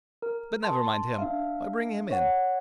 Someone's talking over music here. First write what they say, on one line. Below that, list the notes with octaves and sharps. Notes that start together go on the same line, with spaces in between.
But never mind him, why bring him in?
A#4
A5 C6
D4 E5 F5
C#5 F#5